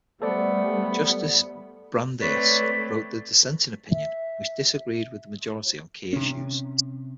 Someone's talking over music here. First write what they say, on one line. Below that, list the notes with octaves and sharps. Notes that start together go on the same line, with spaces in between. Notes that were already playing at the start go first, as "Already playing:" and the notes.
Justice Brandeis wrote the dissenting opinion, which disagreed with the majority on key issues.
G3 A3 B3 A4 C5 D5
A3 C4 B4 C#5 D5 B6
E5
C3 C#4